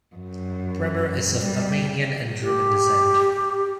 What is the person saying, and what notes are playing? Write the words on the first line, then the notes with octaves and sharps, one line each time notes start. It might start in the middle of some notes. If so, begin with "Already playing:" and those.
Bremmer is of Armenian and German descent.
F#2
G3
G4